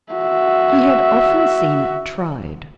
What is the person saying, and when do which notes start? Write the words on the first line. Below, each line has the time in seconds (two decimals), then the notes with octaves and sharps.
He had often seen it tried.
0.12 F#4 E5